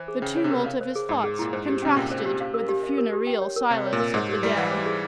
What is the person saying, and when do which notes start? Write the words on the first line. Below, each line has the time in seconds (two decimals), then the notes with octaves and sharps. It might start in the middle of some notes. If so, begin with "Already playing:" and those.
The tumult of his thoughts contrasted with the funereal silence of the den.
Already playing: E3 C5
0.08 G#4
0.22 C#3 G5
0.37 C#5
0.44 C3
0.51 A#4
0.66 F5
0.81 C5
0.96 G#4
1.09 G#2 E5
1.24 G#4
1.39 A#2 E4
1.53 G#2 C5
1.67 G4
1.83 C3 C#4
1.96 A#2 G5
2.11 C5
2.18 A#2
2.26 G4
2.41 F5
2.54 A#4
2.69 G4
2.83 E5
2.98 A#4
3.13 G4
3.27 G5
3.41 C#5
3.56 A#4
3.71 C3 F5
3.86 C#5
3.93 A#2
4.00 A#4
4.14 G#2 C5
4.29 G4
4.43 G3 E4
4.57 E3 F5
4.72 C5
4.86 G#4